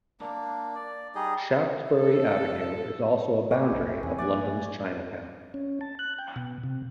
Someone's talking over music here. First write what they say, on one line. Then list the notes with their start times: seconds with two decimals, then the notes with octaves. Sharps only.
Shaftesbury Avenue is also a boundary of London's Chinatown.
0.20 A#3 D4
0.75 D5
1.15 G3 D#4 G#4 D#5
1.89 A4
3.51 C3 A#3 C#4 E4 G4
3.72 B1
4.03 E2 C4 G#4
4.18 F3 A#3 D5 F#5 G#5
5.54 C#4
5.81 A5
5.99 F#6
6.19 G5
6.36 B2
6.64 C3